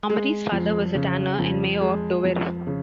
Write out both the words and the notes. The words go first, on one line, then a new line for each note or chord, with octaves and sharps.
Mummery's father was a tanner and mayor of Dover.
G#3
F2
C#3
F2
G#3
F2
C#3